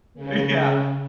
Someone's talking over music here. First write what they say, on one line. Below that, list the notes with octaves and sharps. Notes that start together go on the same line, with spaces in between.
Uh, yeah,
C#3